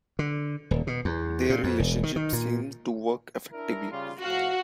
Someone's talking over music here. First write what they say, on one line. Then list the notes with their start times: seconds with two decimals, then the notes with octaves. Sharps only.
Their relationship seemed to work effectively.
0.19 D3
0.71 D#1
0.87 B2
1.05 E2
1.50 A#2
1.64 F2
1.79 E1
2.03 D#3
2.16 D#3
2.33 A#2
3.52 D4 E4 A#4
3.90 C#3 G3 F4
4.23 A2 F3 F#4 F5